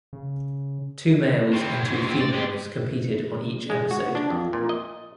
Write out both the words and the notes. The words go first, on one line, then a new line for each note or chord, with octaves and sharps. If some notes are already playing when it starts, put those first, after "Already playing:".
Two males and two females competed on each episode.
C#3
A2 C4
G#2 F#3
G#2 F#3
C4 F4
D5
G#3 G4
G#3
F#4
D4
F2
A#2
D#5